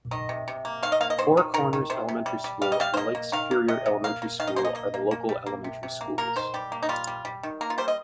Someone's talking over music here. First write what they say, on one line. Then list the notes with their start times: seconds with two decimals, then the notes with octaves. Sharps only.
Four Corners Elementary School and Lake Superior Elementary School are the local elementary schools.
0.11 D#3 D#5
0.29 C3
0.48 C3
0.65 A#3
0.83 D#3 F5
0.92 D#5
1.01 A#3 F5
1.10 D#5
1.18 D#3 C5
1.37 D#3
1.54 D#3 A#4
1.73 D#3
1.90 C3 C5
2.09 C3
2.26 G3
2.44 G3
2.62 G3 F5
2.72 D#5
2.80 G3 F5
2.94 C5
2.97 A#3 D#5
3.15 A#3
3.32 D#3 F5
3.51 A#3
3.68 C3 D#5
3.86 C3
4.04 A#3 F5
4.22 A#3
4.40 D#3 F5
4.47 D#5
4.56 A#3 C5
4.65 D#5
4.75 A#3 D#5
4.94 A#3
5.11 A#3
5.29 G3
5.46 A#3
5.64 C3
5.83 C3
6.01 A#3
6.18 A#3 A#4
6.36 D#3 C5
6.54 G3 G4
6.72 A#3
6.83 D#4
6.89 G3 F4
7.07 G3
7.25 G3
7.43 D#3
7.61 A#3 A#4
7.70 F4
7.78 G3 C5
7.88 D#5